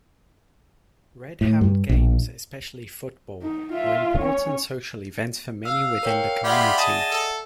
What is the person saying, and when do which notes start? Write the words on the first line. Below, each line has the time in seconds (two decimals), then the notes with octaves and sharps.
"Redhounds" games, especially football, are important social events for many within the community.
1.41 A2
1.61 G2
1.89 A#1
3.42 D#4
3.72 F4 E5
4.19 C#4 C#5
5.65 F5 E6
6.03 A#4 C#5 G5
6.44 G#3 F4 G4 D5 E5 F#5 B5
6.78 G#4 D#5 A5
7.11 A4